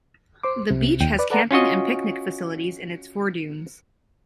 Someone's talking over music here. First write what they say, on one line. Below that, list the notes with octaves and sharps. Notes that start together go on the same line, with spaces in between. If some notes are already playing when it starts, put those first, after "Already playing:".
The beach has camping and picnic facilities in its foredunes.
C5 C6 D6
C2 C3
D#2 G5
B4 D5
A4 B4 D5 F#5 A5 A#5
C#4 F4 F#4 D#5